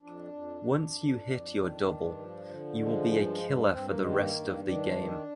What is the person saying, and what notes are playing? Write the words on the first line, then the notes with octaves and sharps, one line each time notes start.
Once you hit your double, you will be “a killer” for the rest of the game.
F2 D4
F2
F2
F2
F2
D#3
G2
F3
D3
F3 G#3
G2
G2
G2 C4
A#3
D#3 G#3
A#3
G2
D#3 D4
D#3